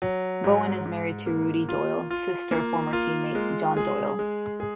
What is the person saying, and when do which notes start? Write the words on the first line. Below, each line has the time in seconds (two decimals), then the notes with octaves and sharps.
Bowen is married to Rudie Doyle, sister of former team mate John Doyle.
0.02 F#3
0.44 G#2
0.86 G#2
1.26 A#3
1.69 F4
2.10 F4
2.51 A#3
2.93 F4
3.35 G#3
3.77 G#4
4.19 G#3
4.60 G#4